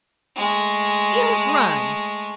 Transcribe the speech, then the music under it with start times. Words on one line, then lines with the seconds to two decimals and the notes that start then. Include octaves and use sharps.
"Eels run!"
0.36 G#3 A3